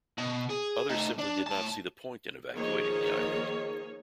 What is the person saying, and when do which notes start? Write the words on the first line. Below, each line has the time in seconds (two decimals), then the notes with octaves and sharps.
Others simply did not see the point in evacuating the island.
0.18 B2
0.50 G#4
0.89 A3 D#4
1.19 D4
1.47 A2 A5
2.53 D#3 F3 A#3 G#4 C#5 D#5